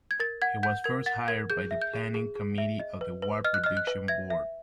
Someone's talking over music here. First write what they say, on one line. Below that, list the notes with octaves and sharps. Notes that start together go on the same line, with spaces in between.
He was first hired by the Planning Committee of the War Production Board.
G#6
A#4 A6
F#5 G#6
F#5 G6
A#4 G#6
F#5 A6
A#4 G#6
G#4 G6
E5
G6
G#4
G#4
G#4
E5
D#5
B4
B4
D#5 F6
F#6
D#5 F6
F#6
B4
E5 G#6
E5